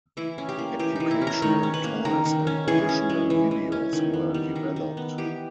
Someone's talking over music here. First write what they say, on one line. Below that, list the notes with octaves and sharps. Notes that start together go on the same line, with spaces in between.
Educational toys and additional videos were developed.
E3 E4
C#4
G4
A#3
E3 G4
E3 D#4
E4
C#4
A#4
D#3 C#5
C#4
B4
A#3
D#3 A#4
D#3
C#4
E3 G#4
C#4
G#3
E3
E3
C#4
D#3
B3
G3
D#3
D#3
B3
E3 G4